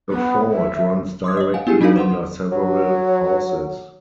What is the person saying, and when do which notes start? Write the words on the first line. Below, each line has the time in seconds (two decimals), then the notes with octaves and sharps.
The fault runs directly under several houses.
0.10 B3
0.50 E5
1.24 C6 D6 D#6 G#6
1.37 C#5 D#5
1.54 F5 F#5 G#5
1.67 B3 E4 G4 G#4 G#5
1.81 F#3 D4 D#4 F#4 A#4 F5
1.96 B4 C5 F#5 C6
2.52 F#3